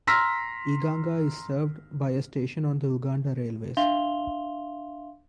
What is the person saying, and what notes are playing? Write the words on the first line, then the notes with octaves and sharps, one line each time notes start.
Iganga is served by a station on the Uganda Railways.
A#5 C6 E6 F6 A#6 B6
D4 E5 F5 C6 F7 G7